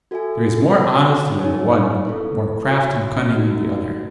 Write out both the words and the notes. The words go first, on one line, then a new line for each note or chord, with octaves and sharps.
There is more honesty in the one, more craft and cunning in the other.
F#4 A4 E5 G#5
F#4 C#5 F#5 A5
D#4 G#4 C#5 G#5
B3 E4 A4
F#4 C#5 E5
A3 D#4 F#4